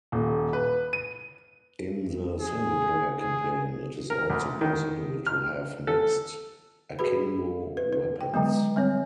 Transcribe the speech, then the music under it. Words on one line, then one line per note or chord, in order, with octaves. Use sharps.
In the single player campaign, it is also possible to have mixed akimbo weapons.
D#1
B4
D#7
G#4
G#4
A#4
D2
D#3
F6
A4
F#4 G#4 B4 B5
B4
B4
G5
D3 F#3 G#3 B3
G3 C4 C#5